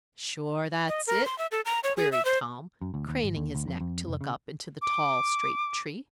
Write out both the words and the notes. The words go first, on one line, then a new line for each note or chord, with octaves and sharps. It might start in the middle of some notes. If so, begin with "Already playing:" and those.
"Sure that's it?" queried Tom, craning his neck to look up into the tall, straight tree.
D#5
A#4
C6
E5
A4
A#5
C#5
G#4
E5
C5
F#2
D2
D#2
G#1
D#2
D2
F2
F2
F1
C#3
D6